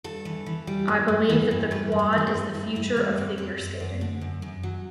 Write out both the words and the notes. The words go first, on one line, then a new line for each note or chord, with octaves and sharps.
I believe that the quad is the future of figure skating.
G2 A4
E3
E3
G3
G2
G2
E3
G2
G3 B4
G2
A4
E3
A4
G4
G2
G2 E4
G2 E4
G3 C4
G2 C4
F#2 C4
F#2
F#2
D3
F#2
F#2
F#3